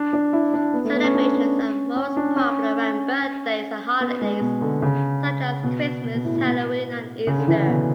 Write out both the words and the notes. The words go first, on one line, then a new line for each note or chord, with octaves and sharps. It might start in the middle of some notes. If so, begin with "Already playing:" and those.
Celebrations are most popular around birthdays and holidays, such as Christmas, Halloween and Easter.
Already playing: D4
D4
E4
D4
B3
A3
B3
C#4
D4
C#4
C#4
D4
C#4
B3
G#3
B2
D3
C#3
B2
B2
B2
A2
A2
B2
C#3
D3
E3
D3
B2